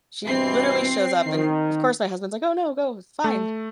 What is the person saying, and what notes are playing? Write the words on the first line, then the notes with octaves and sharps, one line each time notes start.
she literally shows up and, of course, my husband's, like, "Oh, no, go, fine g
G2 B2 E3 C4 C7
D#3
A3